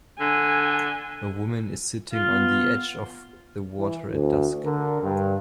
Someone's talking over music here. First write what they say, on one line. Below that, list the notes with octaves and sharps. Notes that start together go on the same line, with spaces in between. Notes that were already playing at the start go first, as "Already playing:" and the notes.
A woman is sitting on the edge of the water at dusk.
D3 G#5
F4
B3
E3
D2
D3 A#4
G2